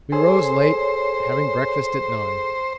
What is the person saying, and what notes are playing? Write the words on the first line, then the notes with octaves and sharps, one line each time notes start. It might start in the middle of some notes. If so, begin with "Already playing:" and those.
We rose late, having breakfast at nine.
G#4 A4 C5 C#5 G#5